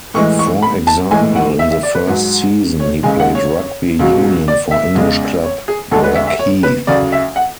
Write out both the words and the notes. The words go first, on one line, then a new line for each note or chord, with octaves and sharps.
For example, in the first season he played rugby union for English club, Blackheath.
A2 E3 G#3 C#6
C#6
B5
A5
A2 E3 G#3 G#5
F#5
E5
E5
D5
B4
G#2 F#3
C#5
C#2 C#3 G#3 G#5
F#5
C#5
C#2 B2 F#3
D5
E5
E2 C#3 G#3
C#5
G#4
D2 D3 G#3 A4
B4
E5
E5
C#5
B4
D2 C#3 F#3 D5
E5
F#5